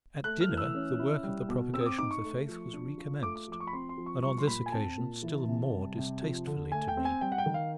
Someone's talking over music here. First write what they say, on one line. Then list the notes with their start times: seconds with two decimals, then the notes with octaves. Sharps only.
At dinner the Work of the Propagation of the Faith was recommenced, and on this occasion still more distastefully to me.
0.24 A3 F#6
0.41 F6
0.49 E3
0.57 E6
0.75 C#4
0.99 E4
1.23 G3
1.49 B2
1.73 C4 E6
1.81 D#6
1.86 D6
1.99 D#4 D6
2.11 C#6
2.24 A3
2.49 F3
2.73 D4
2.98 F4
3.23 A3 D6
3.36 D6
3.48 F3 D6
3.60 C#6
3.67 B5
3.73 C4 C6
3.89 C6
3.98 F3
4.06 C#6
4.23 G3 C#6
4.38 C6
4.47 A#2 B5
4.66 G#5
4.72 C4 A5
4.98 A#2
5.23 E3
5.48 C3
5.72 G3
5.97 C3
6.23 F3
6.47 D3
6.72 A3 G#5
6.88 G5
6.97 C4
7.05 G#5
7.21 G3 G5
7.32 F#5
7.38 G5
7.46 D#3
7.54 F5